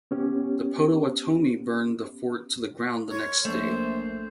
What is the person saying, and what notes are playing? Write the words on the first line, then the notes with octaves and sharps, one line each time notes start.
The Potawatomi burned the fort to the ground the next day.
B3 C#4 G4
A#4 C#5 C6
A#1 A3 C5 E5